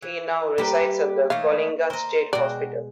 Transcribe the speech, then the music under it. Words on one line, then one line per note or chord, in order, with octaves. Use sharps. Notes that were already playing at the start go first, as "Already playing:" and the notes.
He now resides at the Coalinga State Hospital.
E3
G3 A#3 G4 B4 C5
E3 A3 D#4 F5
A#4 C5 D#5
B2 G#3 F#4 A#4 D5 G5